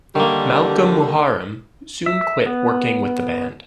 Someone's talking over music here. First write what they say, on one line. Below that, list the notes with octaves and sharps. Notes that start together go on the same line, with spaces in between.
Malkolm Muharem soon quit working with the band.
D3 D#3 G3 A#3
E5
B3